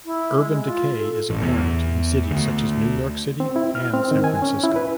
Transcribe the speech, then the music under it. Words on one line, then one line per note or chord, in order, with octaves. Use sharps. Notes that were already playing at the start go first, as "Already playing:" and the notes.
Urban decay is apparent in cities such as New York City and San Francisco.
E4
G#3
F4
A4
A1
E2
D2
C4
E4
F6
C4
D#3
G#5
C#4
E4
B4